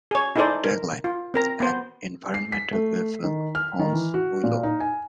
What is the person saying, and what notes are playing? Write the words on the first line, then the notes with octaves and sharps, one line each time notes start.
Tagline: "An environmental evil haunts Willow".
G#4 C#5
D#4 E4 G#4 A4 C5 D5
A#4
F4
C4 A#4 A#5
B3 C5
C7
B6
A3
D#3
F6
D#3
E3
F#4
A#2
D#4
G#5